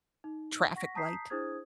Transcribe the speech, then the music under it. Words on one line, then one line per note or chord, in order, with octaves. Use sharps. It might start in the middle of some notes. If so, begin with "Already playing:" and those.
traffic light?
D#4
F#5 C#6 A#6 B6
A5 A#5 D#6 G6 B6 C7
D4 E4 G#4 C5 D#6 G#6